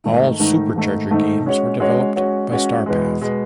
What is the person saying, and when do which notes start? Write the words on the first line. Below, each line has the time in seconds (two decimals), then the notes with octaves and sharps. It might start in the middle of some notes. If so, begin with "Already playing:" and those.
All Supercharger games were developed by Starpath.
0.04 G#2 D#3 A3 D#4
0.39 G#2 D#3 A3 D#4
0.75 G#2 D#3 A3 D#4
1.11 G#2 D#3 A3 D#4
1.46 G#3 C#4 F#4 C#5
1.80 G#3 C#4 F#4 C#5
2.16 G#3 C#4 F#4 C#5
2.50 G#3 C#4 F#4 C#5
2.86 E2 B2 G#3
3.22 B2 G#3